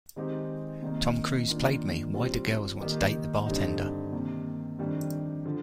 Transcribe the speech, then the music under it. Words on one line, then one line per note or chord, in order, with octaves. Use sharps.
Tom Cruise played me!...Why do girls want to date the bartender?
D#3 G#3 C4 D#4 G4
C3 D#3 A#3 D#4
D#3 A#3 D4 F4
G3 C4 F4
D#3 A#3 D#4 G4 A#4
G2 D3 G3 C4 D#4
C3 D#3 A#3
F2 D#3 G3 D4 G4
D3 F3